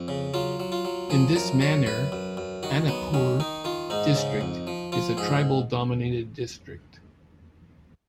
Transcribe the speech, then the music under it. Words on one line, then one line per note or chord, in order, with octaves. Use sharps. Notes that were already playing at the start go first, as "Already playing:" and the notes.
In this manner, Anuppur District is a tribal dominated district.
Already playing: F2
C#3
F#3 F4
F#3
F4
F#3
F3 G#4
F#2 A#4
F#2 C#5
F#2 B4
F#2
F#2
D#3 F#4
F#3 B3
D#3 C#4
D#3 D#4
D#3 F4
G#2 D#4
C#3
F2
F3
F3 F4
G#2 G#4